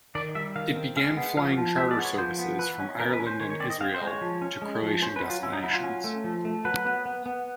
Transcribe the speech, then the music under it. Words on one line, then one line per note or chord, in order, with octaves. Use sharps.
It began flying charter services from Ireland and Israel to Croatian destinations.
D#3 D5
G3 E5
D#3 F5
C4
G#3 F5
B3
F3 F5
F3
G#3 E5
D5
B3
C#5
F3 C5
B3
E3 B4
C#4
E3 A#4
B4
C#4
C5
D#3 C#5
C#5
C4 D5
D#5
C4 F5
C5
G#3
C#5
F3
C#4
G#3
F3
C#4 C5
B4
F#3
F4
C#4 E4
D#4
F#3 E4
F4
C#4
A3
F3
A3
F#3 B4
B3
B3
B3